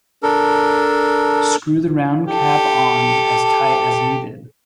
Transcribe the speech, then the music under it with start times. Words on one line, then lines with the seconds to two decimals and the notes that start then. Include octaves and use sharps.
Screw the round cap on as tight as needed.
0.23 D4 A4 A#4
2.27 G4 A4